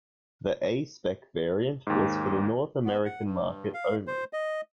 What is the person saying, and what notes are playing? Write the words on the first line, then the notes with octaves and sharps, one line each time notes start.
The A-spec variant was for the North American market only.
D#2 G#2
B3
F#5
G2
F5
C5
D#5